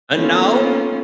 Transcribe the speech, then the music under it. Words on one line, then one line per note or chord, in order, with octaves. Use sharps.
"And now
A#3 B3 C#4 D#4 F4 A4